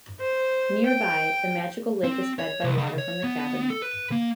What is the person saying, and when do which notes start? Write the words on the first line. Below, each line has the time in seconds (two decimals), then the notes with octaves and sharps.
Nearby the magical lake is fed by water from the cavern.
0.21 C5
0.86 G5
2.04 C4
2.39 C#5
2.64 C2
2.78 C#3
2.98 C#5
3.24 B3
3.70 A4
3.82 B4
4.12 A#3